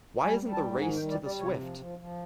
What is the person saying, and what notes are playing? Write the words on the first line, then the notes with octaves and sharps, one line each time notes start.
Why isn't the race to the swift?
G3 G#5
G3
A5
G#2
D#3 G#5
G5
G3
D5
G3 D5
C3 C#5
F3
F3
F3